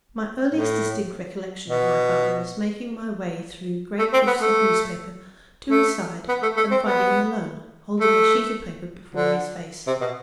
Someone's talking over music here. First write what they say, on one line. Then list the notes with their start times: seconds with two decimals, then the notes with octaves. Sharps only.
My earliest distinct recollection of my father is making my way through great drifts of newspapers to his side and finding him alone, holding a sheet of paper before his face.
0.54 A2
1.69 B2
3.99 A3
4.13 C4
4.27 B3
4.42 A3
5.71 A3
6.29 B3
6.43 A3
6.57 A3
6.71 C4
6.86 B3
8.01 A3
9.15 D3
9.87 C3
10.01 B2